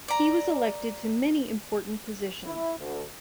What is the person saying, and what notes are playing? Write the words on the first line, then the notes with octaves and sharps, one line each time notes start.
He was elected to many important positions.
D5 A#5
E4
D2